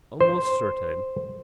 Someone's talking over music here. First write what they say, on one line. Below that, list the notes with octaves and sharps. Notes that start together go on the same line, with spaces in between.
Almost certain.
C5